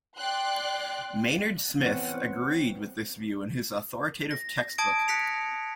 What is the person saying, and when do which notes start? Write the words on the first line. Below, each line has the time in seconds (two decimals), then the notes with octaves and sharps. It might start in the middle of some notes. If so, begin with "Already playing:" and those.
Maynard Smith agreed with this view in his authoritative textbook.
0.16 D5 G5 C6 F#6
1.79 E3 B3 C4 C#5 F#5
4.31 A#6
4.78 A5 D#6 G#6 D7
5.08 F#6 A#6 B6 C#7 F7